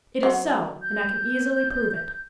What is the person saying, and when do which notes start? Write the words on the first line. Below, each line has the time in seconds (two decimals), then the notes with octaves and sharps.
It is so, and I can easily prove it.
0.23 F#3 C5 F#5
0.82 G6